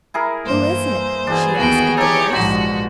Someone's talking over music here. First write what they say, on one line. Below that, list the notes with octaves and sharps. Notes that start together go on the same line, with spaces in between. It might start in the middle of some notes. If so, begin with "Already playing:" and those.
"Who is it?" she asked of the nurse.
E4 G#4 A#4
G2 E3 A#3 C5
B2 E3 D4 G#4
D#2 E3 B3 F#4 G5
D#4 G4 A4 C#5
A#1 G#2 D3 F3 G#3 F#4 G4